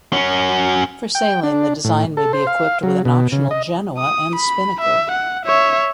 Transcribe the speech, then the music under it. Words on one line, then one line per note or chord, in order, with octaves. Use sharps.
For sailing the design may be equipped with an optional genoa and spinnaker.
F#3 C#4
G5
D4
A2
A4
C5
F5
F#3
B2
C#3
D#5
D#6
B5
E5
F#5
C#5 E5